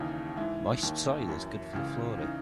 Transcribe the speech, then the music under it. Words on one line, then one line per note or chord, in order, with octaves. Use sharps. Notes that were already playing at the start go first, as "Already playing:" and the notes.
Moist soil is good for the flora.
Already playing: D#2 C#3 E3 D#4
G#2 E3 E4
D#2 D#3
F#2 E3
C#2 C#3 E3
C#3 E3 D#4